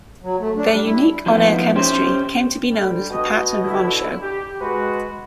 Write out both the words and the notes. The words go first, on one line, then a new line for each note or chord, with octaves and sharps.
Their unique on-air chemistry came to be known as the "Pat and Ron Show".
F#3
A3
D4
G3
E4
F3 A#3 B3 D#4 E4
C#4 G4 C5
D3 G3
B2 D#5
D3 E4
G4
G#3 F#4 B4